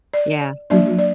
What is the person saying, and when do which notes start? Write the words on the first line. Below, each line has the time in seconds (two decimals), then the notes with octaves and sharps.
Yeah, mhm.
0.14 D5
0.70 F#3 A#3 D4 D5
0.99 D5